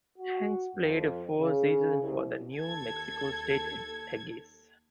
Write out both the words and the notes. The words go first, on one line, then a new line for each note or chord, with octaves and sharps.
Hanks played four seasons for the New Mexico State Aggies.
F#4
F2
C#3
C2
D#2 A4 G#6